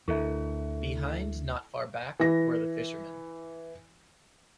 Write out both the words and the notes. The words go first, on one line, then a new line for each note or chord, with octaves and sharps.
Behind, not far back, were the fishermen.
D2 E4 A4 E5
E3 A#6